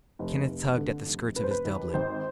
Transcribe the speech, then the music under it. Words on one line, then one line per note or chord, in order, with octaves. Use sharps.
Kenneth tugged at the skirts of his doublet.
F1
F1
D3
F1
F1 B4
C5
B4
D#2
G#1 C5